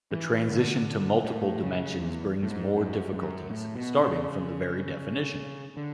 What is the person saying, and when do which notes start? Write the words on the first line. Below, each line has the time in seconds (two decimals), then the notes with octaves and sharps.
The transition to multiple dimensions brings more difficulties, starting from the very definition.
0.12 E3
0.50 D3
1.24 A2
1.63 C#3
2.00 E2
2.42 A2
2.50 G#2
2.75 F#2
3.13 F#2
3.51 A2
3.75 B2
4.01 C#3
5.77 D3